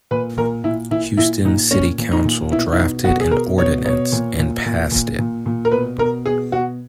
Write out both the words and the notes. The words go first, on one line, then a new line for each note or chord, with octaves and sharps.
Houston City Council drafted an ordinance and passed it.
A#2 B4
A#2 A#4
A#2 E4
A#2 E4
A#2 E4
A#2 D#4
A#2 C#4
A#2
D#4
A#2
B2 E4
E4
B2 D#4
B2 F#4
G#4
B2 A#4
B2 C#5
B2 C#5
A#2
A#2
A#2
A#2
A#2
A#2
A#4
B2 B4
B2 A#4
B2 G#4
B2 F#4